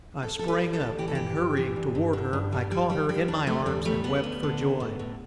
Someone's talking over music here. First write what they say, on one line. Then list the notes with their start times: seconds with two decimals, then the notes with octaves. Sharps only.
I sprang up, and, hurrying toward her, I caught her in my arms and wept for joy.
0.23 D2 A4
0.39 G3 A4
0.48 B4
0.62 G3
0.73 A4
0.80 D2
0.98 E3 G4
1.08 A4
1.15 G2 G4
1.37 G2
1.57 E3
1.76 G2
1.95 G2
2.13 D3
2.33 G2
2.52 G3
2.71 G3
2.90 G3
3.09 G3
3.28 E2 D4
3.47 D3 A3
3.66 E2 G3
3.85 G3 A3
4.04 D2 B3
4.24 D2
4.43 D3
4.61 D2
4.80 A2
4.99 A2